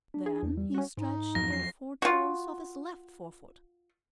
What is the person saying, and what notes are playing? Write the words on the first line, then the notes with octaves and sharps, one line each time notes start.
Then he stretched the four toes of his left forefoot.
D4
G#4
E2
G3
C#4 F#4
G#2 D#4
F2 F3 F#3 A#6
C7
F4 F#4